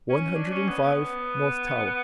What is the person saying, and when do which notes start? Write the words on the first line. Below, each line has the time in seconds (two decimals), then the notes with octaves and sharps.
"One Hundred and Five, North Tower."
0.10 C#4
0.36 D4
0.52 C#4
0.68 B3
0.84 B3